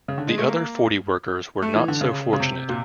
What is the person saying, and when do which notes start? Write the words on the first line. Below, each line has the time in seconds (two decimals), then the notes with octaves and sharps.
The other forty workers were not so fortunate.
0.08 C#3
0.18 D3
0.27 G#3
0.38 A3
0.47 A#3
1.62 A3
1.75 E3
1.88 D3
2.01 C#3
2.33 C#3
2.40 C3
2.69 A#2